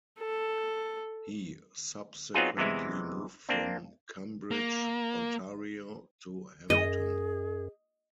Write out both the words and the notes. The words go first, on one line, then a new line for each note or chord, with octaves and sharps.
He subsequently moved from Cambridge, Ontario to Hamilton.
A4
F#3 B3 C4 D#4 F4 G#4
E2 C3 E3 G#3 E4
A#3 C4 D4
A#3
F#2 G#4 D#5